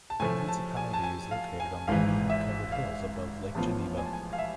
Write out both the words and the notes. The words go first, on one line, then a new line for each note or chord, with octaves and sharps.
The municipality is located on the vineyard covered hills above Lake Geneva.
A5
A2 F3 A3 G#5
A5
G#5
A5
G#5
F5
G#5
G#1 G#2 E3 F5
E5
F5
A1 A2 F3 B3 F4 A5
G#5
A5
G#5
F5
E5